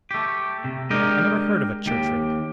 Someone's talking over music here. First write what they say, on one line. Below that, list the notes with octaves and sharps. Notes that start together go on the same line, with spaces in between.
"I never heard of a church-rate."
A3 G4
C3
G#3 D4 G4 A#4 D#5 G5
D#2 G4